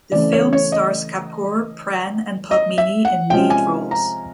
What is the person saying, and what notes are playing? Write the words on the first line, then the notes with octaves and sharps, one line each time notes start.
The film stars Kapoor, Pran and Padmini in lead roles.
C#3 E3 A3 C4 D5
C#5
C#5
D#5
D#5
E5
F#5
C3 F3 G#3 C#4 G5
G#5
A#5